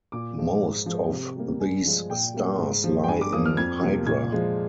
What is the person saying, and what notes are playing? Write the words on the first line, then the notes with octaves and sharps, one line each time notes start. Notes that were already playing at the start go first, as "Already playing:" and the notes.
Most of these stars lie in Hydra.
A#2 D6
F3 G#3
G#2
F3 G#3
C3
G3 A#3
G2 G#5
F3 G#3
A#2 G5
G3 A#3
G#2
F3 A#3
G5
G2 G#5
D6
F3 A#3 D#6
F6
F2 G#6
C3 F3 A#3
A#2 G#6
F3 G#3